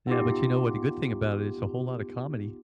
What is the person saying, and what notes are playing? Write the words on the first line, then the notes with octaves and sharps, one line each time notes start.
Yeah, but, you know what, the good thing about it it's a whole lot of comedy.
B3 D#4 F4 G4